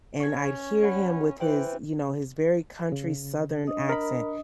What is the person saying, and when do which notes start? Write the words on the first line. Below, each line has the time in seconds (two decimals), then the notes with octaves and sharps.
and I'd hear him with his you know, his very country Southern accent,
0.20 C#4 C#6 G#6
0.82 C#5 F#5 B5
1.40 E3 B4 C5 G5
2.92 C#3
3.67 D4 D#5 D#6
3.89 A#4 B5